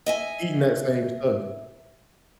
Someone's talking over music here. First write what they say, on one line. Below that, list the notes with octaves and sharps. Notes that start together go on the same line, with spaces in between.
eating that same stuff.
D#5 E5 G#5